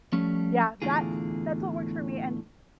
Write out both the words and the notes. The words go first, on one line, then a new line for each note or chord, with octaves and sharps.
Yeah, that's that's what works for me, and
F3 G3 A3 C#4
E2 A2 D3 F4 G#4